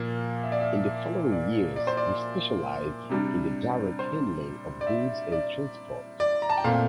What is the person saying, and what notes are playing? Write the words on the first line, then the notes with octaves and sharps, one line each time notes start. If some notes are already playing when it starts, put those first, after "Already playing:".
In the following years he specialized in the direct handling of goods and transport.
Already playing: A#2 F3 A#3
E5
D5
E5
D5
D5
C5
D5
C3 G3 D4
C5
D5
E5
D5
D5
A#5
A5
G5
A#2 A3 C4 F5